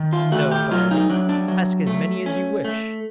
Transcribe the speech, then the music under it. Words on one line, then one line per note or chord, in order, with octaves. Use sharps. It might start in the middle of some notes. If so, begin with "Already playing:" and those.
"No, darling; ask as many as you wish."
Already playing: D#3
F4
A3 F#4
G4
F#3 F4
D#4
F#3 D4
D4
F#3
A3
C#4
A3